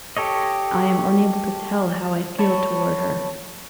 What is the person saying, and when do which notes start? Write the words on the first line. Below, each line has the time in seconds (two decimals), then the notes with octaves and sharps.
I am unable to tell how I feel toward her.
0.17 G4 A4 C#5 D#5
2.39 C#5 A5 B5 C#6